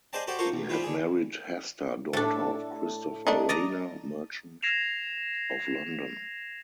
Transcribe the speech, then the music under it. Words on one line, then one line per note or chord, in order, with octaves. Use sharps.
He had married Hester, daughter of Christopher Rayner, merchant, of London.
G#4 C5 D5 D#5 G5 A5
F#4 G4 A4 C5 D5
F4 A4 A#4 C5 C#6
B1
F3 G3 C4 E4 F4
D3 G#4
A2 A3 D4 A4
A3 D4 D#4
D5 D#5 A#5
G#6 A#6 C7 E7 F7